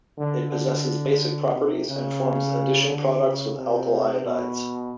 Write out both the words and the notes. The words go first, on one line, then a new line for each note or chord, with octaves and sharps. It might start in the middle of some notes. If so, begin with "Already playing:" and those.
It possesses basic properties and forms addition products with alkyl iodides.
D3
D3
C3
C#3
D3
C#3
C3
B2